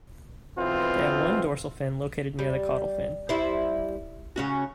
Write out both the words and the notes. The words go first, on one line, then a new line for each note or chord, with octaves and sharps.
They have one dorsal fin located near the caudal fin.
B1 B2 E3 B3 C4 F4
G3
G3 E4 C5
C#3 C#4 F#4